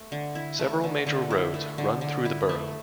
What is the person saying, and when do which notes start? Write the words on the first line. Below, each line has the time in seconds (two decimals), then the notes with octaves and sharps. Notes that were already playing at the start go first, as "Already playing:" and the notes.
Several major roads run through the borough.
Already playing: A3
0.12 D3
0.35 E4
0.59 A3
0.84 D3
1.07 D3
1.31 E4
1.54 A3
1.78 D3
2.01 D3
2.26 E4
2.49 A3